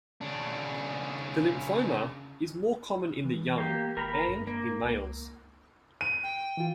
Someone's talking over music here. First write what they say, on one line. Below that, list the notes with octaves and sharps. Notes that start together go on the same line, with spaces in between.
The lymphoma is more common in the young and in males.
C#3 D4
E3
A#3 G4
G#1 A#4 A#5 B5
G2
A#3
C#2
D#7
G5
E3 F4